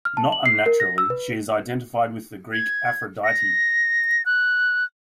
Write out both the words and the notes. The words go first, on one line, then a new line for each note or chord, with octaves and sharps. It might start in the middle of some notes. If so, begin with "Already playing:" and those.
Not unnaturally she is identified with the Greek Aphrodite.
F6
A5
F#7
C7
A#4
A#6
E6
B4
G#6
A#6
F#6